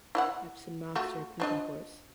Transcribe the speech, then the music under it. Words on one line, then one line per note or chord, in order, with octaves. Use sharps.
Epson Master Printing Course.
E4 F5 F#5
A3 F4 F#4
F3 D4 D#5